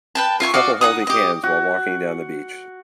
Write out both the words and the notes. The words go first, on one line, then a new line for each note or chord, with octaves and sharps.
A couple holding hands while walking down the beach.
B4 G5 A5
F4 E5 G#5 C#6
F#4 D5 D#5 F5
D#4 A4 F#5 D#6
G4 D#5
F#4